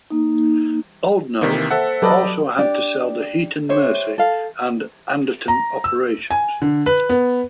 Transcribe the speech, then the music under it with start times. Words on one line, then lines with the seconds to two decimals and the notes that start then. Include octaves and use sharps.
Oldknow also had to sell the Heaton Mersey and Anderton operations.
0.10 A#3 D#4
1.42 C3 D#3 E3 A#3
1.71 A4 C5 E5 F#5
2.02 F#3 G4 A4 B4 D5 D#5
2.59 D4 G4 D5
3.69 G4 C5 C#5 E5
4.18 A4 F5
5.48 A#5
5.84 E6
6.31 G#5
6.62 D3
6.86 B4
7.09 B3